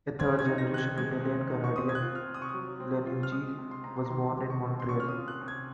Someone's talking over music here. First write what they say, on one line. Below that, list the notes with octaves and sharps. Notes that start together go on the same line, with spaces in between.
A third generation Italian Canadian, Iannuzzi was born in Montreal.
C4 G#6
G#6
D#4
A#6
D#3 F#6
G#6
G#3 G#6
C4
D#4
C#6
C4 D#6
G#6
F#6
F4
F6
C3
D#6
C#6
D#6
F#3
C4
F4
F6
G#3 D#6
C3
C6
C3 A#5
C6
A#5
D#3 C6
G#3
C#6
C3
C6
C#4 C#6
F6
D#6
F4
F#6
C3
G#6